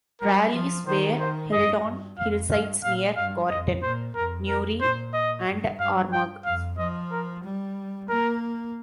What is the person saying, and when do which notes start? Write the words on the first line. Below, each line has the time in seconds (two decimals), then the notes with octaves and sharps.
Rallies were held on hillsides near Gortin, Newry, and Armagh.
0.21 G3 A#4
0.54 F3
0.87 D#3 C5
1.20 C5
1.53 G2 D#5
1.86 G2
2.19 F2 F5
2.51 G2 F5
2.84 A#2 F5
3.17 G2 F5
3.50 F2 D#5
3.83 A#2 C5
4.15 F2 A#4
4.48 A#4
4.81 A#2 C5
5.14 D#5
5.47 G2
5.80 G2 F5
6.13 G5
6.45 F2 F5
6.78 F3 D#5
7.11 A#4
7.44 G3
8.09 A#3 A#4